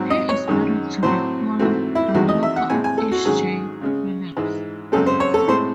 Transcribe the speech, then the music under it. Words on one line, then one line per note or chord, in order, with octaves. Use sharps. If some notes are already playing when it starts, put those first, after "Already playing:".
He is married to Nicola, Director of H J Phillips.
Already playing: G#2 F#3 C4
D#5
C#5
F#2 D#3 G#3 C#4
A2 F#3 C4 C5
G#2 E3 A3 C4 F#4
E4
E2 D#3 G#3 C4 F#4
D#5
E5
F#5
A2 G#3 C4 G#5
G#5
A4
F#4
G#2 D#3 F#3 C#4 G#4
C#3 G#3 C#4
G#2 E3 G#3
F#2 C#3 G#3 C4 A4
C5
C#5
A4
A2 G#3 C4 C5